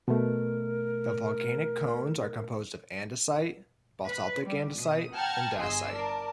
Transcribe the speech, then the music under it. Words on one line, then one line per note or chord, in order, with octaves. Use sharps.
The volcanic cones are composed of andesite, basaltic andesite and dacite.
B2 A3 A#4
B4
G3
B2 D#6
F#5 G5 A5 A#5 F6 G#6
G1 G#4 D#5 C6 E6 C7
A#4 D5 A5